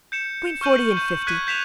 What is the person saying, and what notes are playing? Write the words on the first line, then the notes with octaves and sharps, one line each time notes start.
"Between forty and fifty."
G6 C#7 E7
C#6 F6 G6 D#7 F#7
G6
F#6 G#6 B6 D#7
G6 B6 E7 F7